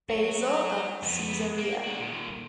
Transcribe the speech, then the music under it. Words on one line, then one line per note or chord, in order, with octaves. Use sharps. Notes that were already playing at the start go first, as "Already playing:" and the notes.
Basil of Caesarea.
F#4 C#5
F2 B3
A#3
D4 F#4
A#2 D#3